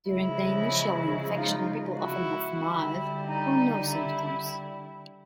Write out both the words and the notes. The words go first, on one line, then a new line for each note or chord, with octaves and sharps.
During the initial infection people often have mild or no symptoms.
C#3 F3 G#3 E4
D#4 F4
E4 F#4
D3 G3 E4
D#4
E4